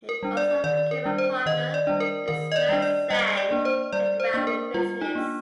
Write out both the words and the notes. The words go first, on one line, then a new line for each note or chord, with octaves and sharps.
He also became a partner in Smythe's sand and gravel business.
A#4
G3 D4
D5
D#3 D5
A#4
G3 D4
C5
D#3 D#5
D5
G3 D4
A#4
D#3 A#4
D#5
D5
G3 D4
D5
G3 D#5
D5
A#3 D4
C5
G3 D5
C5
A#3 D4
A#4
G3 F4
D#4
A#3 D4